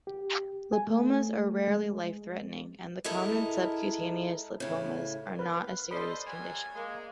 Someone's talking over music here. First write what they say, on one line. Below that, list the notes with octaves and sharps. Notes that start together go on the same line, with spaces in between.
Lipomas are rarely life-threatening and the common subcutaneous lipomas are not a serious condition.
G4
G#5
A3
G#3
G#3 E4 A4 A#4 D#5
A2 C#3
B4 F5
A4 C5 D5 D#5 B5 C6
F#2 F#3 G3 G#5
G#3 A#3